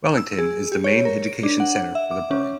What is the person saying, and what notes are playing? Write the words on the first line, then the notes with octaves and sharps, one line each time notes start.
Wellington is the main education centre for the borough.
E6
G#4
G4
C#5
A#4
D7
D4
F#5
E5
D6
C#4